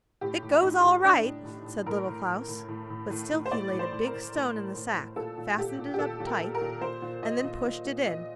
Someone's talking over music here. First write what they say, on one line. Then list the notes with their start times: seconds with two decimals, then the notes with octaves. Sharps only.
'It goes all right!' said Little Klaus; but still he laid a big stone in the sack, fastened it up tight, and then pushed it in.
0.21 A2 G4
0.42 A2
0.62 A2 D#4
0.83 A2
1.04 A2 D4
1.25 A2
1.45 A2
1.66 A2
1.86 A2 A#4
2.07 A2
2.27 A2
2.48 A2
2.68 A2
2.90 A2
3.10 A2
3.31 A2
3.46 C5
3.51 A2 D5
3.72 A2
3.79 C5
3.92 A2
4.07 A#4
4.13 A2
4.34 A2
4.55 A2
4.76 A2
4.96 A2
5.16 A#2 A4
5.38 A#2
5.57 A#2 G4
5.79 A#2
5.94 G4
5.99 A#2 A4
6.20 A#2
6.27 A#4
6.40 A#2
6.55 A#4
6.61 A#2
6.81 A#2 C5
7.02 A#2
7.22 A#2 D#5
7.44 A#2
7.64 A#2
7.85 A#2
8.06 A#2 D#5